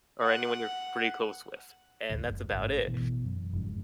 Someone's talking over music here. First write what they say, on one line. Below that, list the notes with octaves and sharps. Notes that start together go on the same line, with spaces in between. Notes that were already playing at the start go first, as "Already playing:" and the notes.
or anyone you're pretty close with, and that's about it,
F#5
D#1 G#1 C#2 A2
F#1
G#1 A2
B2 E3
F#2
G1 F2 G#2 C#3